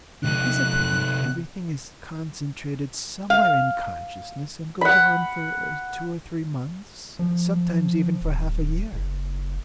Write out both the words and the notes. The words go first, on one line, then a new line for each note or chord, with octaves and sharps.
In his opinion everything is concentrated somewhere in consciousness and goes on for two or three months ... sometimes even for half a year....
C3 D#4 F#6
F5
F#5 B5
F3
D1
F#1